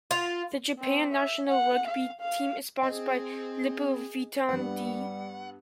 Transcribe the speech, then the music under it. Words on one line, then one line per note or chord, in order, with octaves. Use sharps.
The Japan national rugby team is sponsored by Lipovitan D.
F4
C4
E5
F#5
F5
F5
C4 G#4 D#5
G2 G3 B3 F#5